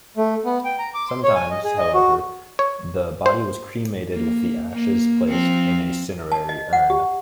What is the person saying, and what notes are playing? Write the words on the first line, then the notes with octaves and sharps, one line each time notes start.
Sometimes however the body was cremated with the ashes placed in a cinerary urn.
A3
B3
G5
A#5
D6
C6
C#5
G#5
D#5
G#4
D#5
F#4
C#5
C5
A#3
A#3
F3 C4
A5
D#5
F#5
G4